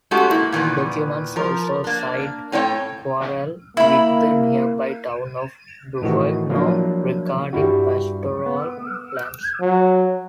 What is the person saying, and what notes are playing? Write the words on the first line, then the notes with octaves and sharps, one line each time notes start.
Documents also cite a quarrel with the nearby town of Bovegno regarding pastoral lands.
G#3 A3 C#4 F#4 G4 A4
A#3 E4
A#2 D#3 E3 B3
F3 A#4
A#3 D4
A2 C4 C#5 G5
A#3 E4 B5
A2 D#3 E3 F#4
F3 F#3 A#3 D4 E4 F4
G2 G3 E4 F#4
B3
F#3